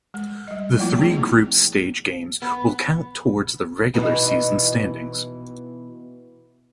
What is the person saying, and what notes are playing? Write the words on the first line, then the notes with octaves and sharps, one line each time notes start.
The three group stage games will count towards the regular season standings.
G#3
G3 D#5
F3 G3 A3 A#3 E4 F4
A3 C4 D#4 G#4
B3
B2 E3 D#4